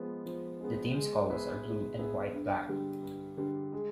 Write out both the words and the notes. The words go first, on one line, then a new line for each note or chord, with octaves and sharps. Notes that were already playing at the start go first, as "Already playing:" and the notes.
The team's colors are blue and white-black.
Already playing: F3 G#3 B3
F3
G#3 B3
G#3
B3 E4 G#4 B4
G#3
B3 E4 G#4 B4
G2
D3 G3
G2
D3 G3
G#3